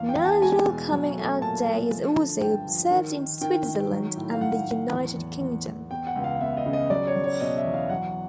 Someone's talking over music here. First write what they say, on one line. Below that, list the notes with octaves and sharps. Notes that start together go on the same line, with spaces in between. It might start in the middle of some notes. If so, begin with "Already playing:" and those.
National Coming Out Day is also observed in Switzerland and the United Kingdom.
Already playing: E2 F5
G5
E2
A5
G#3 G#5
B2
F#3
A3
A#2 A5
A3
F3
D3
G2 G5
F3
D#3
D#3
D#3 G5
D#3
F#3
A2
F5
F#3 F#5
A2
E2
E2
E2
E2
B3 G5
F#5
C#2
F5
B3 E5
D#5
C#3
D#5
F#3 D5
C#5
F#3
C#5
B2 D#5
E5
E2
F5
F#3 F#5